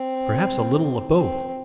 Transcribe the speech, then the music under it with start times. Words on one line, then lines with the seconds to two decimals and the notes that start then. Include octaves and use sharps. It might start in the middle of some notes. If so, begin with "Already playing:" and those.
Perhaps a little of both.
Already playing: C4
1.18 C4